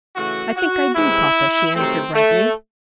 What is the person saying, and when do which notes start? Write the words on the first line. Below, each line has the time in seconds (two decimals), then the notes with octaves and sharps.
"I think I do, papa," she answered, brightening.
0.16 C#3 E3 A3 F#4
0.57 F#4
0.95 C3 E3 G#3 E4
1.74 C3 D#3 F#3 A3 C4
2.14 A3